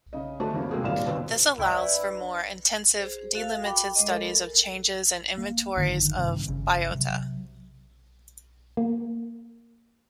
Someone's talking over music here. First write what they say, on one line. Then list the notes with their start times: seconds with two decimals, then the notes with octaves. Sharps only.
This allows for more intensive, delimited studies of changes and inventories of biota.
0.13 C#3 D#5
0.40 D3 A3 D4 F#4 A4 C5
0.54 E2 C#3 A#3
0.71 C3 G#3 A#3 C4 F#4 G#4
0.84 D#2 A#2 G3 D5 F5 E7
1.06 D#2 B2 B3 C4
1.58 C#2 D4 E4 B4 G5
2.96 G#4 C5
3.35 F#4 A4 F5
3.62 G5 B5 D6
3.95 G#3 D#5
4.07 A4 A#4
5.38 A#3
5.76 G#1 F#2 D3 D#3
6.18 A1 G2 C3 D#3
6.48 G1 C#3
6.91 C3 F#3
8.77 A#3